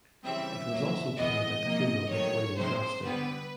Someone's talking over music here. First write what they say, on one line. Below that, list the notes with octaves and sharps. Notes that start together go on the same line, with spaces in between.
It was also played at the funeral of William Gladstone.
C#3 E3 G3 C4 E5
A2 F#3 A#3
E3 G#3 B3 D#5
C3 F3 A#3
D#3 F#3 A3 C#5
C3 F3 G#3 C5
D3 G3 B3 B4